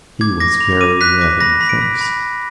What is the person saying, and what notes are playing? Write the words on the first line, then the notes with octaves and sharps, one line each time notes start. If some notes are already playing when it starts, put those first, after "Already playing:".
He was very red in the face.
D6 G#6
D6 A#6
B5 F7
D6 D#7
F#6 B6
D6 A#6
B5 A#6
B5 B6
D7
B5 B6
B5
B5